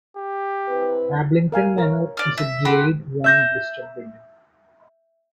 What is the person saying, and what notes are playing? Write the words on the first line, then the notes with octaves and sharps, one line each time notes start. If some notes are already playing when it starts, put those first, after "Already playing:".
Ablington Manor is a Grade One listed building.
G4
C4 E4 B4
A#4 F5 G#5
A#4 C#5
D5 F6
E5
F#4 G4 A4 B5 C6
E5 G6 A#6